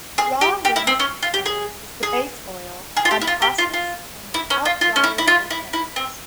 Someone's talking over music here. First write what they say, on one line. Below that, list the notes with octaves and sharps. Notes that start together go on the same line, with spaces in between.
Raw linseed oil is the base oil, unprocessed and without driers or thinners.
G#4
G4
G4
E4
C4
C#4
F4
G4
G#4
G#4
G#4
F4
G4
E4
F4
G4
F4
F4
E4
C#4
F4
F4
C#4
E4
E4
F4
E4
E4
C4